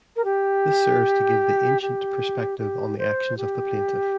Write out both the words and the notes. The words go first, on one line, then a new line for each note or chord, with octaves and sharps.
This serves to give the "ancient" perspective on the actions of the plaintiff.
A#4
G4
G4
G4
C5
G4